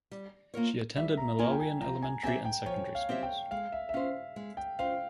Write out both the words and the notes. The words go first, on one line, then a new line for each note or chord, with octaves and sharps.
She attended Malawian elementary and secondary schools.
G3
A#3 F4 A#4 C#5
G3 E5
A#5
A#3 F4 A#4 C#5 G#5
G5
G#5
F3 A#5
G#5
C4 G4 C#5 E5 G#5
G5
F3 C#5
F5
C4 G4 C#5 E5
G5
G#3 F5
E5
E5
C#4 F4 C5 F5
G#3
G5
C#4 F4 C5 F5